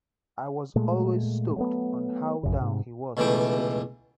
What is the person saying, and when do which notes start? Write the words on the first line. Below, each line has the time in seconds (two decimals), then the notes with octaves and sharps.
I was always stoked on how down he was for skating.
0.76 A#2 G#3 A3
1.56 F#3 A3 B3
2.43 A#1 F#2 C#3
2.60 G#2 C3
3.17 C#2 B2 D3 E3 A3 G5